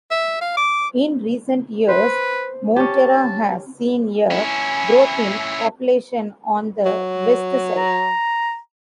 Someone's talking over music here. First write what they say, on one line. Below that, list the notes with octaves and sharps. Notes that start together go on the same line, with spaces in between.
In recent years, Monteria has seen a growth in population on the west side.
E5
F5
D6
B4 C5
C#4 G4 A5
C#4 E4 G#5
F#3
A#5